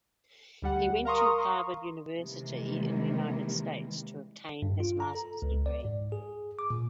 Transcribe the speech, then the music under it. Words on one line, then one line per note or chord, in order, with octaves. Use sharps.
He went to Harvard University in United States to obtain his master's degree.
D2 G3 F#5
A#4 F5 A#5 C6 C#6 D#6
C3 D#3 E3 G3 G#3 A#3
G2
F4
A#5
A4
C#2
D5
G#2
G#4
D6
A#2